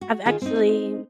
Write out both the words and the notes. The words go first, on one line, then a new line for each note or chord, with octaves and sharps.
I've actually
F#4
D#3 F4 G#4
C4 D#4